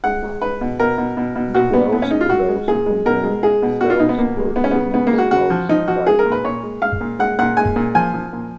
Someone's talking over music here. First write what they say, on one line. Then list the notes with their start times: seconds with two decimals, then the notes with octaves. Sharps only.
The wells could also contain cells or enzymes of some type.
0.04 G#3 F#5
0.23 G#3
0.42 G#3 B4
0.61 B2
0.80 B2 A#4
0.98 B2
1.17 B2
1.36 B2
1.54 A#2 F#4
1.73 A#2 B3
1.92 A#2 B3
2.02 C#4
2.11 G#3 D#4
2.21 F4
2.29 G#3 F#4
2.48 G#3
2.68 A#2 G#4
2.86 G#3
3.06 B2 A#4
3.24 G#3
3.43 G#3 G#4
3.62 B2
3.81 B2 F#4
3.90 F4
3.99 B2 D#4
4.09 B3
4.18 B2 A#3
4.37 G#3
4.56 G#3 B3
4.64 C#4
4.71 C#3 B3
4.94 C#3 B3
5.07 A#3
5.13 G#3
5.18 F#4
5.31 C#3 F#4
5.50 F3
5.69 F3 D#4
5.88 F3 F#4
6.07 G#3 G#4
6.19 A#4
6.26 A#2
6.32 B4
6.45 A#2 C#5
6.63 G#3
6.82 G#3 F5
7.01 A#2
7.19 G#3 F#5
7.39 A#2 F#5
7.57 G#3 G#5
7.76 A#2
7.95 F3 G#5
8.14 F3
8.33 A#2